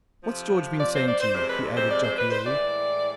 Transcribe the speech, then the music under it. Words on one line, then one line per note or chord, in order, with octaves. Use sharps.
What's George been saying to you?' he added jocularly.
F2 C3 F3
D5
C5
D5
C5
F2 C3 G#3 C5
B4
C5
D5
C5
B4
C5
A2 E3 G#3 D5